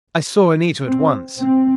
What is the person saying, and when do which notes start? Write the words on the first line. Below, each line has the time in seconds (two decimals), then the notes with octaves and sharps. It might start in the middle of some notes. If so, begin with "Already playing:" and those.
I saw Anita at once.
0.87 C4
1.38 C4